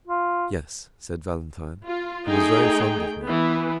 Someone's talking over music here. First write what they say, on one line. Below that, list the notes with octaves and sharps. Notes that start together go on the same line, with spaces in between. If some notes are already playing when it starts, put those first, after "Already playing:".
"Yes," said Valentine, "he was very fond of me."
F4
F4
A3 D#4 G#4 G5
E3 B3